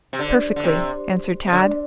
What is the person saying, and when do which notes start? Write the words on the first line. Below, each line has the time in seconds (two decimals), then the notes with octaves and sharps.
"Perfectly," answered Tad.
0.13 C3
0.19 D3
0.56 D3
0.64 C3
1.47 C3
1.53 D3